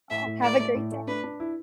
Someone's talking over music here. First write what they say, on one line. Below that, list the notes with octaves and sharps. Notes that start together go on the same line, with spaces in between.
Aw, have a great day.
A2 E5
A2
A3 D5
A3
A2
A3
D4 B4
D4
E4